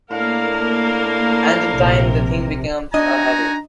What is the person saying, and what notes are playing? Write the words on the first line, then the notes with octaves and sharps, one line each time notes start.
And in time the thing becomes a habit.
A2 A#3 D4 A#4 F5
A#1 C3
D4 D#4 F#4 D#5 G#5 A#5